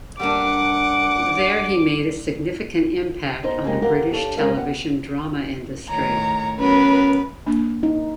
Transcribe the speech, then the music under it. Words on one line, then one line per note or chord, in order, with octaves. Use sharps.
There he made a significant impact on the British television drama industry.
G3 A#3 D4 F#5 D6
B2 D#4 C5
C#3 F3 G#3 A#3 D#4 G4
G4 A#4 F5 F#5
D4 G4 A4 C5 C#5 F5
G#3 C#4 A#4 B4 F5
B3 G4 F#5
A2 D#3 C#5 A#5
F#3 B3 C#4 A#4 B4
A#3 D4
D#4